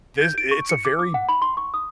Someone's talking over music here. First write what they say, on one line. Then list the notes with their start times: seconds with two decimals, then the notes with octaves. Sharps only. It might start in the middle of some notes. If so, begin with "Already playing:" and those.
this it's a very
0.21 G6
0.38 D7
0.51 C#6
0.69 C#7
0.85 D6
0.99 D6
1.14 F#5
1.29 B5
1.42 C6
1.57 C#6
1.74 D#6